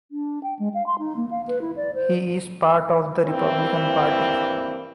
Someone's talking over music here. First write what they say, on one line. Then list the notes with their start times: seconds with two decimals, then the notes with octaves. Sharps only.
He is part of the Republican Party.
0.12 D4
0.43 G5
0.59 G#3
0.74 F5
0.87 C6
0.99 D#4
1.16 A#3
1.31 F5
1.48 B4
1.61 E4
1.76 D5
1.95 C5
3.24 G2 E3 A#3 C4 E4